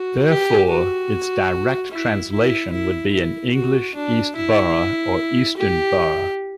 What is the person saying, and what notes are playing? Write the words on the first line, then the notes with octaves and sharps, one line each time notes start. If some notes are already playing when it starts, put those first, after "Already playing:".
Therefore, its direct translation would be in English East Borough or Eastern Borough.
Already playing: F#4
G4
F#4
E4
E4
E4
E4
F#4
D4
E4
G4